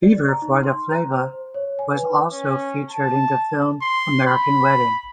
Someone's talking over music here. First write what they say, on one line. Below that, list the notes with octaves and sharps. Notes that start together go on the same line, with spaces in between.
"Fever for the Flava" was also featured in the film, "American Wedding".
D5
A#5
D#4
C6
A#5
C5
C#5
G#5
B4
C#4
A5
C6
B5